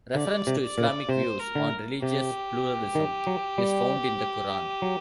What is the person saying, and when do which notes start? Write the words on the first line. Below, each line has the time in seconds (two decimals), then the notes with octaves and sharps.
Reference to Islamic views on religious pluralism is found in the Quran.
0.15 D3 D5
0.47 C3
0.63 D5
0.78 A#2
1.09 C3 C5
1.39 A#4
1.55 D3
2.02 C3 G4
2.95 D#3
3.27 F#3
3.58 G3
4.82 F#3